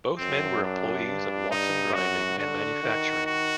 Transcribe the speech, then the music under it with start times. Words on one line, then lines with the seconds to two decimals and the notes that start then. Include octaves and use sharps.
Both men were employees of Watson Grinding and Manufacturing.
0.18 F#2 C4
0.63 D4
1.07 G2
1.50 G2 D#4
1.94 F#2 F#4
2.38 D3 F#4
2.83 D#3
3.26 F#4